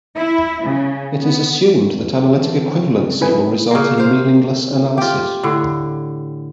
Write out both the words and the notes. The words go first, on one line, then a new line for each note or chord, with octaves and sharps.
It is assumed that analytic equivalency will result in meaningless analysis.
E4
C#3
B3
E2
D3 E3 C4
C#3
E4 B4 G#5
C#3 A#3
C5 F5
F4 G4
A2 D3